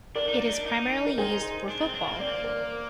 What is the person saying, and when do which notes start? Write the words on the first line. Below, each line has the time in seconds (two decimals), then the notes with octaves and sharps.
It is primarily used for football.
0.15 D4 A#4 D5
0.28 D#4
0.36 D4
0.41 D#4
0.54 D4
0.66 D#4
1.06 A#4
1.18 D#4 G#4 C5
1.69 D4
1.82 C4
1.94 D4
2.08 A#3
2.17 C4 D5
2.27 A#3
2.32 C5
2.44 A#4 D5